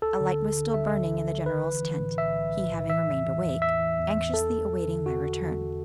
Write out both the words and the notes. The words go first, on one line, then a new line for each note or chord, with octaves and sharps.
A light was still burning in the General's tent, he having remained awake, anxiously awaiting my return.
D2 A4
D3
D2
D3
D3 E5
D2
D2
D3
B1 B4
E3
E3
A2
B1 E5
B1
B1
A2
E3 E5
E2
E3
E2
E2 E5
E3
E2
E2
E2 A4
E2
E2
D3
E2 F#4
E2
E2